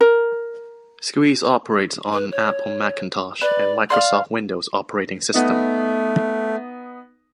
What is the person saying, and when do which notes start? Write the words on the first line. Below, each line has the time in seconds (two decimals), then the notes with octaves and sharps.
Squeeze operates on the Apple Macintosh and Microsoft Windows operating systems.
0.01 A#4
2.13 B4
2.31 C#5
3.41 B4 D5
3.90 D5 F5 F#5 C6
5.34 A3 B3 D#4